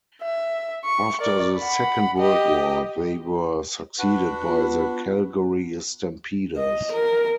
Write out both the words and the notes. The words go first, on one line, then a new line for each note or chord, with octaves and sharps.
After the Second World War, they were succeeded by the Calgary Stampeders.
E5
C#6
A#4 D5
F#5 B5
G4 D#5
D4 F#4 B4 F#5
B3 F4
D#5
A#4